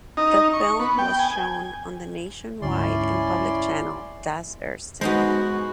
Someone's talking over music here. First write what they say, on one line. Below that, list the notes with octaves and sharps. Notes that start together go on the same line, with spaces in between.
The film was shown on the nationwide and public channel Das Erste.
D#4
C#6
B3
G5
G#5
D2 G#2 C#4 E4 D5 C6
G#3 B3 D#4 F#4 C5